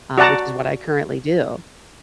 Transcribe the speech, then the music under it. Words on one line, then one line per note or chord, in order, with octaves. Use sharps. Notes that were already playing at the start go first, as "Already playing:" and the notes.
uh, which is what I currently do.
F#4 D5 F#5 A5 A#5